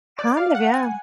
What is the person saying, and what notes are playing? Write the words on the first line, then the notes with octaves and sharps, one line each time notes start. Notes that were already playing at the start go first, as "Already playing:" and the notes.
Kind of, yeah.
D5
F5
F#5
G#5